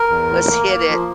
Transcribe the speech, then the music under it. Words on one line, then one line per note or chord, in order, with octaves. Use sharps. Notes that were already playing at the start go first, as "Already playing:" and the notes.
let's hit it,"
Already playing: A#4
E2
A2
A#3
A#3
F3